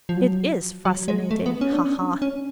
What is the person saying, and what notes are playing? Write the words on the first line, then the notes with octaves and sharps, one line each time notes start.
It is fascinating, ha-ha!
F3
F#3
F#3
G#3
A3
B3
C#4
D4
C#4
C#4